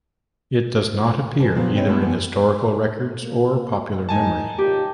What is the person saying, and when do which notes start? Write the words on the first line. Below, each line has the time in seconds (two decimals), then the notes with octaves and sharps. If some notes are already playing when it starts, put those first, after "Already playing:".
It does not appear either in historical records or popular memory.
1.40 E3 A5
1.55 A#2 F3 F#3 B3
1.75 C4 C#4 D#4 B4
1.87 G#3 A3 B3 E4 A5
2.02 E3 B3
3.22 A#3
4.09 E2 D#3 D#4 G#5 A5
4.58 C#2 A#2 D#3 G4